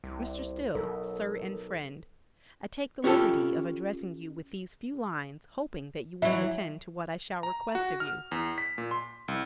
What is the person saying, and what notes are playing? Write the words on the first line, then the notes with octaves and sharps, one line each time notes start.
Mr. Still:--Sir and Friend--I take the liberty of addressing you with these few lines hoping that you will attend to what I shall request of you.
C2
B1 A4 A#4
C#4 F4 G4 A4
E3 F#3 E5
A#5
F#4
F6
E2
B6
A#2
C6
C2